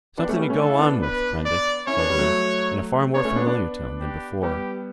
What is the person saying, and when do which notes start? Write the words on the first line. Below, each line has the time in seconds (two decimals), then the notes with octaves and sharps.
"Something to go on with, Prendick," said he, in a far more familiar tone than before.
0.18 B3 D4 G4
0.29 A3 C#4
0.39 G3 B3
0.49 A3 C#4
0.60 D4 A4
0.70 E4
0.79 B3 D4
1.02 B4
1.46 D5
1.87 C#4 E4 C#5
1.99 B3 D4
2.09 G3 B3
2.19 F#3 A3
3.14 B3 D4 C#5
3.25 A3 C#4
3.36 B3 D4
3.46 B3 D4
4.00 G4
4.43 G3 B3 G4